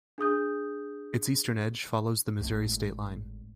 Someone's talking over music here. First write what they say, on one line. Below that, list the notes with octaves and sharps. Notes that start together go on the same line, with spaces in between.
Its eastern edge follows the Missouri state line.
D4 G#4 D#6 G6
G#1 A2